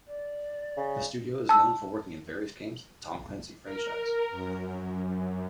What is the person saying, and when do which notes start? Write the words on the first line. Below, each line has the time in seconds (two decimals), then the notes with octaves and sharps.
The studio is known for working in various games in the "Tom Clancy" franchise.
0.07 D5
0.77 C#3
1.49 A5 E6
3.65 A#4
4.30 F#2